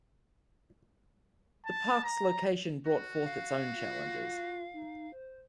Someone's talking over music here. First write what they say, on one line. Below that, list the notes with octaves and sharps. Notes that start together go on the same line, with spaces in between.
The park's location brought forth its own challenges.
A5
A#5
F#4
F5
F4
D#4
C5